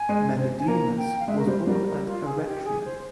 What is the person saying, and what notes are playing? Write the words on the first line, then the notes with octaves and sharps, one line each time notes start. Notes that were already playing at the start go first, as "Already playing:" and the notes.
Menedemus was born at Eretria.
Already playing: G#5
G#3
C4
G#5
A#3 A#5
G5
F5
G#3 E5
A#4
G3 C5
G3 A#4
A#4
F4
G#4
G4
G#4
C5